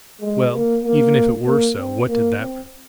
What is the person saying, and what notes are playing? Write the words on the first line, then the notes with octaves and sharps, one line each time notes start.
Well, even if it were so, what did that prove!
G#3
A#3
A#3
A#3
C4
A#3
C4